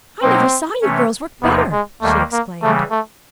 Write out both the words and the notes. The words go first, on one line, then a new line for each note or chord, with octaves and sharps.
"I never saw you girls work better!" she exclaimed.
B2 F#3 A#3 C4 D#4
C3 E3 A3 C#4
E2 C3 F3 A#3 B3 D#4
G#3
D#2 D#3 G3 A3 A#3
A#3
C#3 E3 G3 A3
A3